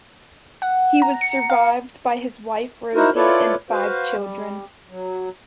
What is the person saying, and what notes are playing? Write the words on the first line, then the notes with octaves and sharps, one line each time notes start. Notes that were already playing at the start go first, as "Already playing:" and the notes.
He was survived by his wife Rosie and five children.
F#5
A#5
C#7
F5
D#4 E4 F#4 A#4 C5
E4 F4 A4 B4 C#5 D5
F#4 B4 C5 F5
G3
F#3